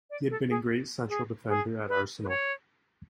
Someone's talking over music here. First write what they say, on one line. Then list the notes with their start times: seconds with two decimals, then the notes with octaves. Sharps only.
He had been a great central defender at Arsenal.
0.10 D5
0.30 A4
0.50 G#4
1.09 G#4
1.49 G#4
1.89 B4
2.24 B4
2.28 C#5